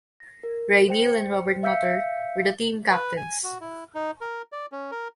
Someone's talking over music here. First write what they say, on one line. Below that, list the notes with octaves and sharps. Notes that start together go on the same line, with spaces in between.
Ray Neal and Robert Nutter were the team captains.
A#6
A#4
C5 G5 C#7
E5 F5 E6 G6 B6 C#7
B4
G#5
F#4
E4
D#4
A#4
D5
C#4
A#4